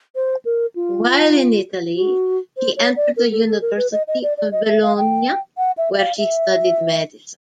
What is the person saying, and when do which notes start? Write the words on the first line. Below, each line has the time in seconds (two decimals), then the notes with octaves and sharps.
While in Italy he entered the University of Bologna, where he studied medicine.
0.15 C5
0.45 A#4
0.75 F4
1.96 F#4
2.57 C5
2.77 C#5
2.96 D5
3.17 A#4
3.32 A4
3.47 A4
3.62 A#4
3.77 B4
3.92 D#5
4.08 D#5
4.23 D5
4.38 D5
4.52 D#5
4.68 E5
4.82 F5
4.98 G5
5.58 F#5
5.78 E5
5.93 E5
5.99 F5
6.18 E5